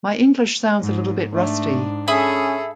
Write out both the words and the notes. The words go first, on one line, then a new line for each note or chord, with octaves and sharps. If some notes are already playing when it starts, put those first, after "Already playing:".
My english sounds a little bit rusty.
G#2
G#2 A3 D4
C#4 G#4 A4 E5 B5 D#6